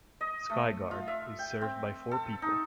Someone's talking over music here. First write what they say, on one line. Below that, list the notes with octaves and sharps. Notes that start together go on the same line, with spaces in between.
Skyguard is served by four people.
D#5
A3
F4
E5
G5
C4
A4
D#4